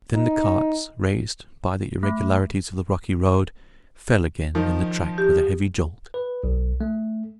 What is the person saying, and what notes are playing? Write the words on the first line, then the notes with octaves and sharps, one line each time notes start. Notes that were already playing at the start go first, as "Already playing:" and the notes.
Then the carts, raised by the irregularities of the rocky road, fell again in the track with a heavy jolt.
D#4
A3
D#3 F3 D#4
G4
B4
B1
A3